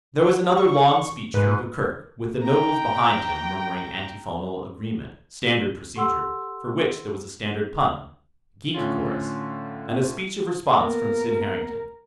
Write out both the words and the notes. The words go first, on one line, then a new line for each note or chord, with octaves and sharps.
There was another long speech from Gurgurk, with the nobles behind him murmuring antiphonal agreement--standard procedure, for which there was a standard pun, geek chorus--and a speech of response from Sid Harrington.
C#6
G#2 B4
G5 A#5
G4 A4 F#5 C6 E6
A2 D3 C#4 F4
A#3 B3 A#4